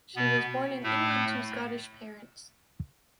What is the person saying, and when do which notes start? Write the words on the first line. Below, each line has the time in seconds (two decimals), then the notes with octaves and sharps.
She was born in England to Scottish parents.
0.16 B2 B3
0.83 A2 A3